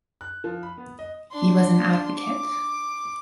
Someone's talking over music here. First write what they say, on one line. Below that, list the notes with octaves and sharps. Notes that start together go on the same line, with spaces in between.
He was an advocate.
F#6
F3
B5
B3
D#5
D4 C6
D6